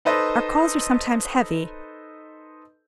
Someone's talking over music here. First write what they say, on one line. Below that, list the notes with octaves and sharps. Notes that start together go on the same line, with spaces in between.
Our calls are sometimes heavy.
D#4 A4 B4 C5 D#5